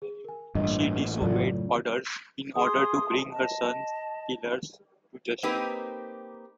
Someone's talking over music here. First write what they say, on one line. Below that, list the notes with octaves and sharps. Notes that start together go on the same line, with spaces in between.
She disobeyed orders in order to bring her son's killers to justice.
G#4
A#4 G#5
A1 G2 A#2 D#5
F#2 A2 C#3 F4 A4 D5
G#4 C6 D#6
D#5 A5
A#3 C4 D#4 G4 B4